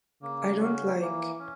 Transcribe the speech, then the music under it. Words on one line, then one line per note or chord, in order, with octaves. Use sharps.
I don't like...
C#3 A#3
C#4 F#4
E3 A#3
C#4